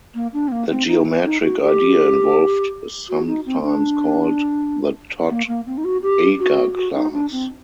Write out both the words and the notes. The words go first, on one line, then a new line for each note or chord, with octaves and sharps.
The geometric idea involved is sometimes called the Todd-Eger class.
A#3
D4
C4
A#3
C4
D#4
D#4
F#4
G4
F#4
D#4
C4
D4
A#3
A#3
C4
D#4
F#4
G4
F#4
F#4
D#4
D4
C4